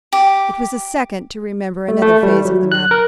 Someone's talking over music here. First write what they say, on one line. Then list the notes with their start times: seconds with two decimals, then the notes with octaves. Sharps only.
It was a second to remember another phase of the matter.
0.13 G4
1.88 A3
2.02 A3
2.23 G3
2.45 F#3
2.72 F#6
2.91 A#4